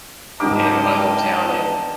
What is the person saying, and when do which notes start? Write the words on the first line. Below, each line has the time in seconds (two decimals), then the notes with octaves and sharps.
in my hometown, and
0.40 C#2 G#2 D3 G4 A#4 D#5 A5 D6